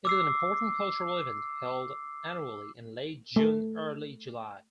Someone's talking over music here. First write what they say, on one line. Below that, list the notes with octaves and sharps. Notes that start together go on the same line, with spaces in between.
It is an important cultural event, held annually in late June-early July.
D6 E6 C7
A3